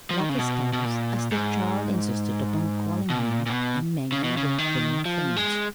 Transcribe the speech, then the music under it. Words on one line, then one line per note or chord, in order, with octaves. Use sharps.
"Lucky Stars," as the child insisted upon calling her, and Maggie were firm friends.
F3
D#3
C#3
B2
B2
A#2
G#2
B2
A#2
A#2
B2
C#3
B2
C#3
D#3
F3
G#3